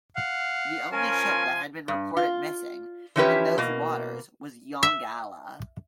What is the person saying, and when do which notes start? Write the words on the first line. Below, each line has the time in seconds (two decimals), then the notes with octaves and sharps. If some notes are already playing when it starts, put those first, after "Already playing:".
The only ship that had been reported missing in those waters was "Yongala".
0.16 F5 F#5
0.92 F3 C#4 F4 A#4 G#5
1.88 G2
2.17 F4
3.16 E3 F3 C#4 E4 G4 B4
3.58 B2 A#3
4.83 E5